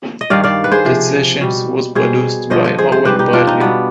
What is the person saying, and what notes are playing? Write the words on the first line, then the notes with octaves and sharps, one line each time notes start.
The sessions was produced by Owen Bradley.
D#5
G2 D#3 G3 D5 F5
D5 F5
B4
G#4 C5
C3 F3
B2 G3
B2 G3 G#4 C5
G2 D3 F3 C5 D#5
C5 D#5
G#4 C5
G#4 C5
G#2 G3 G4 B4
D#4 G4
D4 F4
C4 D#4
B2 G3 B3 D4